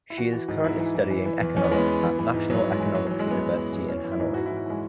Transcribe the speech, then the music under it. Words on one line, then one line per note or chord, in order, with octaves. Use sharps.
She is currently studying economics at National Economics University in Hanoi.
E4
E3 F#4
E3
G#2
G#2 E4
E3
E3
E3
E3
E2
E2 C#4
B3
E3 G#3
B3
E3
E3
E3
G#2
G#2 F#3
E3
G#3
E3
E3 F#3
E3 F#3
G#3
F#2 B3
F#2
E3
E3
E3 C#4
E3
E4
G#2
G#2 F#4
E4
E3
E4
E3 G#3